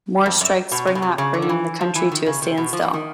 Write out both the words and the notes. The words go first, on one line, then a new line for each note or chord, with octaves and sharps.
More strikes spring up, bringing the country to a standstill.
F2
F#2
B2
C3
B2
C3
C#3
D3
D#3
E3
F3
E3
D#3
C#3
C3
B2
F3
E3
D#3